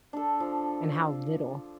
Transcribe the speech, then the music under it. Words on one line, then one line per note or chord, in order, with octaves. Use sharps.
And how little.
D4 A4
F3